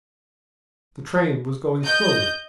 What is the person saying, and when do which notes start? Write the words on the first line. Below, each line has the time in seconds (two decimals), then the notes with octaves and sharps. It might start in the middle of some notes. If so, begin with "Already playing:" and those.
The train was going slowly.
1.84 D#5 G6